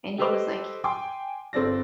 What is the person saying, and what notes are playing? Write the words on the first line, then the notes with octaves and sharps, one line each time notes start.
and he was like
G4 A4 B4 C5 D#5 D6
G5 G#5 C6 D6
G1 C4 A4 D5 A#6